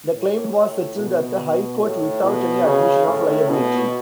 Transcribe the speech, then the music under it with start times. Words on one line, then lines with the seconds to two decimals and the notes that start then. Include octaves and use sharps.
The claim was settled at the High Court without any admission of liability.
0.14 A2
0.97 B2
1.81 A2
2.23 B2
2.65 C#3
3.07 A2
3.49 B2